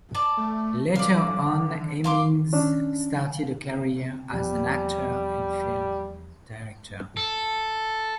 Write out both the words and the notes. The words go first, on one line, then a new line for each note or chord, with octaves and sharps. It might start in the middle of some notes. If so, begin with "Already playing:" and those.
Later on, Hemmings started a career as an actor and film director.
D5 A5
A3
D3 D5 F5
F2 F5 C6 D6
C#4 D4
E2 F3 G3 B3
A4